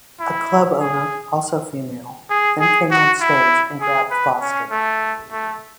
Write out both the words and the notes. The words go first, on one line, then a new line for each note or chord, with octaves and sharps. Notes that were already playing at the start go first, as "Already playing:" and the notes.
A club owner, also female, then came on stage and grabbed Foster.
E4
G#4
G#4
G#4
F#4
E4
G#4
B4
C#4
A3
A3